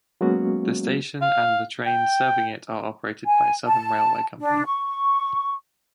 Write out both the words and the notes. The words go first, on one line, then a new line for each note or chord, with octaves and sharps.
The station and the trains serving it are operated by Southern railway company.
F#3 G#3 A#3 B3 C#4 F#4
F5
G5
G#5
A5
D4
C#6